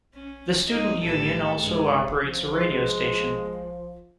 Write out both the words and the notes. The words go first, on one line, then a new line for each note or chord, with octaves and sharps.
The student union also operates a radio station.
C#4
D#4
A2 G3 A4
G2 G#3
F3
G#3